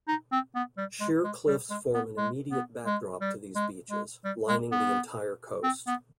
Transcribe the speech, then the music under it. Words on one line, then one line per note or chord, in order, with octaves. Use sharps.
Sheer cliffs form an immediate backdrop to these beaches, lining the entire coast.
D#4
C4
B3
G3
G#3
G#3
G3
G#3
B3
G#3
B3
G#3
G3
G#3
G#3
G3
G#3
B3
C4
B3